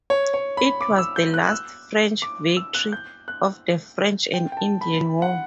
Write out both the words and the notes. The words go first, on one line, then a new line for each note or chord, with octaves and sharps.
It was the last French victory of the French and Indian War.
C#5
C#5
B5
D6
E6
G6
F#6
F#6
E6
D6
E6
F#6
G6
F#6
G5
G5
A5
B5
F#5